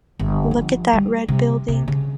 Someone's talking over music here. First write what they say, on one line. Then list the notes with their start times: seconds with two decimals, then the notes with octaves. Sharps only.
Look at that red building.
0.19 G1
0.51 F3
0.93 G3
1.29 C3
1.68 C3
1.88 C#3